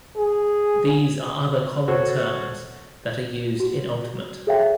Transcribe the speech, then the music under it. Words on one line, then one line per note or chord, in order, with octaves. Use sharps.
These are other common terms that are used in Ultimate.
G#4
F#4 A4 C5 C#5
F#4
G#4 A4 C#5 E5 F5 G5